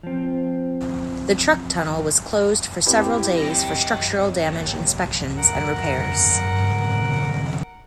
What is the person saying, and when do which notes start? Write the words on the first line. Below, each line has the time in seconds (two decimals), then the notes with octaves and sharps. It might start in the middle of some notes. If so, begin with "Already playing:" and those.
The truck tunnel was closed for several days for structural damage inspections and repairs.
0.03 F3 C4
2.86 C4 E4 G4 B5
3.38 F#3 D#5 G5
4.47 D#2
5.37 A#4 F#5